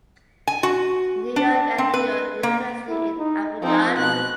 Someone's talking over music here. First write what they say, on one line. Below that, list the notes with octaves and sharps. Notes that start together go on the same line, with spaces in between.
New York and New York University in Abu Dhabi.
G#5
F#4
D4
C4
B4
A#3
E4
D#4
F3 C4 D#4
B2 F#6